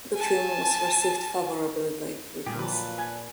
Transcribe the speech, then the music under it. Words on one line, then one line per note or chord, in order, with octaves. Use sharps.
The film was received favorably by critics.
G#5 A5
A#2 D3 G3 G4 G#4
F3 F#3 B4 A5
G#5 G#6